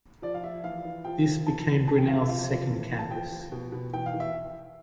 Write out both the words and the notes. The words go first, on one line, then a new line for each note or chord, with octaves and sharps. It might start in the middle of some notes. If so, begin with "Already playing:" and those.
This became Brunel's second campus.
F3 D5
F5
F3 E5
E3 F5
E3
F3 G5
F3
E3 A5
E3
B2 A5
G5
B2 F5
E5
F3 F5
F3
E3
E3
A5
F3 G5
F3
B2
B2
E3 G5
F5
E3
E5